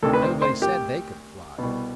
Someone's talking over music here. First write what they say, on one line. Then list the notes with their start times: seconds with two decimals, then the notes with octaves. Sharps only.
Everybody said they could fly.
0.02 D2 C3 D#3 A4
0.13 B4
0.22 C5
0.42 C5
0.62 G4
1.58 C2 B2